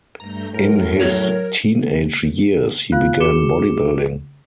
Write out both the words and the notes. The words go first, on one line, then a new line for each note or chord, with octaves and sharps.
In his teenage years, he began bodybuilding.
G2 A3 A#5 G6
A2 F#3 A#4
C#5
F4 F5 F#6
F#4 G#4 D6 C#7 E7 G7